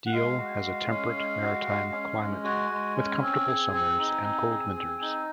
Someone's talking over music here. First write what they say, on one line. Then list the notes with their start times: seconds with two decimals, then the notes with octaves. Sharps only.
Deal has a temperate maritime climate, with comfortable summers and cold winters.
0.06 F#5
0.12 G#3 F5
0.38 F#4
0.64 G#3
0.90 C#4
1.15 G#3
1.42 F#4
1.67 G#3
1.92 C#4
2.19 G#3
2.44 F#4 G#5
2.70 G#3
2.96 C#4
3.22 C4
3.47 G#4
3.73 C4
3.98 D#4
4.23 C4
4.50 G#4
4.75 C4
5.02 D#4